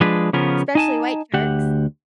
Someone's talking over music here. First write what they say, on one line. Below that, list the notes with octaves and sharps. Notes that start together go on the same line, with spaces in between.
especially white sharks.
F3 G#3 D4 G#4 B4
C#3 F3 B3 C#4 A#4
D#4 G#5 A5
D2 G4 F#5